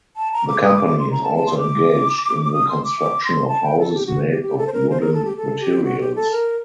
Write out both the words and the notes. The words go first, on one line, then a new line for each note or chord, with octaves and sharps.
The company is also engaged in the construction of houses made of wooden materials.
A5
A#5
D6
D#6
D6
D6
C6
A#5
A5
A5
C6
D6
D#6
C6
D6
D6
C6
A5
G5
A4
G4
F#4
G4
G4
A4
C5
A#4
C5
A#4
A4
G4
A4
G4
F#4
G4
A4
A#4